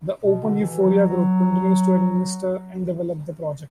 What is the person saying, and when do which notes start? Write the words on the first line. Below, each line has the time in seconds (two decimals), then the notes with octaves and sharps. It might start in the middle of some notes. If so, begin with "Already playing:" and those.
The openEuphoria Group continues to administer and develop the project.
0.24 B2
0.43 D3
0.61 E3
0.80 F#3
1.08 F#3